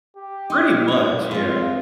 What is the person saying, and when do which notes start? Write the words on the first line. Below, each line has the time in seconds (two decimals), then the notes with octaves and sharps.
pretty much, yeah.
0.17 G4
0.50 D#4
0.88 D#4 C5
1.31 G#3 C4 F4